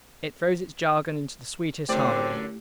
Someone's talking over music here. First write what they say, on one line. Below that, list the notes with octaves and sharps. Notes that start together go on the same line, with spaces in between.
It throws its jargon into the sweetest harmony.
F#2 D3 A3 C4 E4 G4 D5